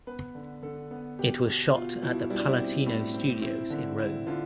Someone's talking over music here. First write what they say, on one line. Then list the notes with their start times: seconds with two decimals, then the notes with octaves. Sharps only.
It was shot at the Palatino Studios in Rome.
0.07 B3 B4
0.35 D3
0.62 D3 A4
0.91 B3
1.19 B2 G4
1.46 B2
1.74 B2 F4
2.02 B2 E4
2.30 G3 E4
2.39 D4
2.46 E4
2.59 C4
2.86 A2
3.14 C4
3.42 C4 E4
3.70 D3
3.97 C4 E4
4.27 D3 F4